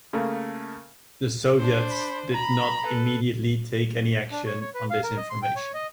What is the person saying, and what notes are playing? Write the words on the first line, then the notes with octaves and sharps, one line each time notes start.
The Soviets did not immediately take any action on this information.
C#3 A3 A#3
D4 C5
B5
A#5 B5
A4 B4
D4
C#5
C#5
B4
F5
A#4
D#5
C6
G5
C#5
D#5